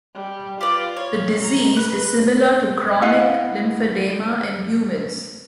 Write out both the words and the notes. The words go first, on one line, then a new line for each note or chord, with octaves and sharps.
The disease is similar to chronic lymphedema in humans.
G3
F4 G4 B4 D5
C#5
A#5
B4 F#6
B3 E4 D#5 F5 F#5